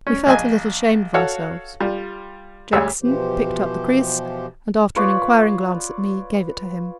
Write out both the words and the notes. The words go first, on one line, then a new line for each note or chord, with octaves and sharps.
We felt a little ashamed of ourselves. Jackson picked up the kriss, and, after an inquiring glance at me, gave it to him.
C#4
A#1 D#5 G#5
F#4 A4 C#5 F5 F#5
G3 F4
D2 G3 G#4 C#5 E6
B2 E3 F3 G4 C5
F4 B4 C#5 D5